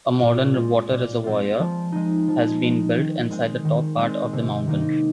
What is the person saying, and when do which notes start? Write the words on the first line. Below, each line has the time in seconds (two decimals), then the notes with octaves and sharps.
A modern water reservoir has been built inside the top part of the mountain.
0.22 A#2
0.55 G#3 C4 F4
0.90 A#2
1.24 G#3 C4 F4
1.59 F3
1.92 G#3 D#4
2.28 F3
2.62 G#3 D#4
2.96 D#3
3.30 G#3 C4
3.65 D#3
3.98 G#3 C4
4.33 C3
4.68 D#3 A#3 D#4